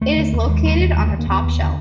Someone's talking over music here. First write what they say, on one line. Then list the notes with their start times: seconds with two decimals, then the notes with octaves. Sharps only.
It is located on the top shelf.
0.01 D#2 A3
0.17 D3
0.33 D#2
0.48 D#2 G#3
0.65 D#2
0.80 D#2
0.95 D3 G#3
1.08 A3
1.11 D#2
1.19 A#3
1.27 D#2 B3
1.43 D#2
1.59 D3